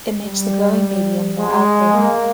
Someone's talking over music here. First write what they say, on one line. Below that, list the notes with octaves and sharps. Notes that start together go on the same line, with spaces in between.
It makes the growing medium more alkaline.
G3
G#3
A#3